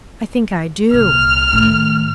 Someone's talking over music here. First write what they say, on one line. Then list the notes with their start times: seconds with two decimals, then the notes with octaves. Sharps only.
"I think I do."
0.94 C2 A#2 F6
1.53 A2 D#3